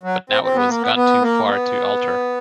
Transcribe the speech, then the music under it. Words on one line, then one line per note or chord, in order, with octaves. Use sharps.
But now it was gone too far to alter.
F#3
C4
C4
B3
A#3
B3
B3
A#3
B3